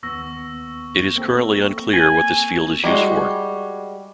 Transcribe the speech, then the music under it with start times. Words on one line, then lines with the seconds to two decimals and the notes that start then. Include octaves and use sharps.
It is currently unclear what this field is used for.
0.03 D#2 B3 C#6 E6 A#6
1.15 A#3 C4 A4
1.93 G#5 F#7
2.84 G3 G#3 F#4